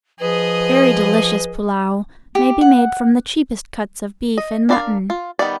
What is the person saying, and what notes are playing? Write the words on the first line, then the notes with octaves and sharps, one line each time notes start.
Very delicious pullao may be made from the cheapest cuts of beef and mutton.
F3 G#4 B4 D#5
G4
F#5
D#5
D4 A#4 D5 D#5 F5
F4
D#3 G3 B3 D5